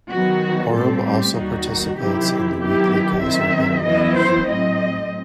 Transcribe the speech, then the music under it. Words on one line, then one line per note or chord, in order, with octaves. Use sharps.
Aurum also participates in the weekly Geyser Hill wave.
D#3 F#3 B3 F#4
A2 G3 C4 A4
G4
D#2 D#3 G3 D#4 F#4
C3 D#3 F#3 C4 E4 G4
D#3 F#3 B3 E4 G4
D#3 F#3 C4 E5
F#2 E3 B3 E4 D#5
C5
A2 F#3 C4 D#5